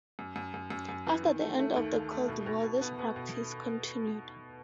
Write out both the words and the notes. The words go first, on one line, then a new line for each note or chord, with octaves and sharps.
After the end of the Cold War this practice continued.
F#2
F#2
F#2
F#2
F#2
E3
D#3
A3
A3
D#2
D#2
A3
B2
B2
B2
B3
B3
B2